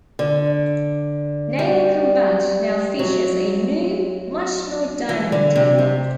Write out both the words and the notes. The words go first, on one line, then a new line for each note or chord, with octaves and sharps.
Naval combat now features a new, much more dynamic table.
D3
G3
F#3
E3
D3
C3
C3